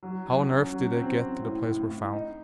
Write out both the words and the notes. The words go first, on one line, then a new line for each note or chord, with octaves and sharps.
How on earth did they get to the place where found?
F#3
F#3
C#4
F#3
C4
C4
A2
A2
A2
D#4